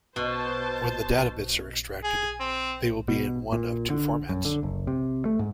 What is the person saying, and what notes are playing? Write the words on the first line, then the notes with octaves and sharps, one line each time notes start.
When the data bits are extracted they will be in one of two formats.
B2 C5 A5
G#4
C4
B2
A#2
D3
F#2
D3
F#1
C3
A3
G#2